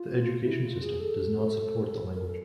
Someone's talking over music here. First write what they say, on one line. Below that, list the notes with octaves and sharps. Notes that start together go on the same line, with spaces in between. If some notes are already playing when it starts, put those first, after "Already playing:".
The education system does not support the language.
Already playing: F4
E4
F4
G#4
A4
A#4
A4